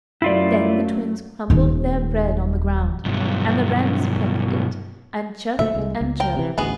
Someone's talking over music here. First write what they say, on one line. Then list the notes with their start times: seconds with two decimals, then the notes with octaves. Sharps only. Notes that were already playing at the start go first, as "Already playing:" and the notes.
Then the twins crumbled their bread on the ground, and the wrens pecked it, and chirruped and chirped.
0.22 F#2 F#3 A3 E4 F4 D5
1.50 D#1 D#3
3.05 B1 G2
5.59 D2 A#2 A3 E5
5.75 C2 G#3
6.01 C#2
6.20 A#4 G5
6.37 C3 E3
6.58 A1 D2 B3 F#4 G#4